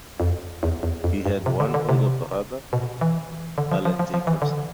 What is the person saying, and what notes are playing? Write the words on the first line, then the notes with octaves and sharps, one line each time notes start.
He had one older brother, Allen Jacobson.
F2
E2
E2
F2
G2
C3
D3
D3
C3
B2
E3
D3
F3
F3
F3
F3
E3
D3